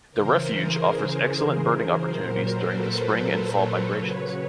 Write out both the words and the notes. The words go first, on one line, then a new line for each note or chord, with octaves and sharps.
The refuge offers excellent birding opportunities during the spring and fall migrations.
C#3 E3 A#4 C5
G#4 A#4
G#4 A#4
A#4 C5
A#2 F#3
A4 B4
A#4 C5
B4 C#5
C#3 F#3 B4 C#5